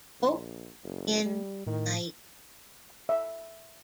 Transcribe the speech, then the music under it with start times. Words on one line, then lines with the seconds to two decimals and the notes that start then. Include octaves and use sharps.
Hope in light.
0.20 A#1
0.84 F#1
1.25 G3
1.67 A2 D#3
3.09 E5